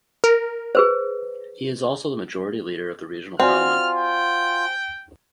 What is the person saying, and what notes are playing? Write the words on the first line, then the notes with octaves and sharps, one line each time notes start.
He is also the Majority Leader of the regional parliament.
A#4
G#4 B4 C5
C4 F4 F#4 D5 G#5 F6
G5